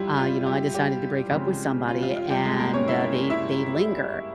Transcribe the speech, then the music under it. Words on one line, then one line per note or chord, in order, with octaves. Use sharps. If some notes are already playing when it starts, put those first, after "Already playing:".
uh, you know, I decided to break up with somebody and, uh, they they linger,
Already playing: G#2 G3 E4 F4 G4
F4
G3 G4
G3 G4
C#3 F3 G#3 C4
F4
F4
F4
G3 G4
G#3 G#4
A#3 A#4
C#4 C#5
E4 E5
E4 E5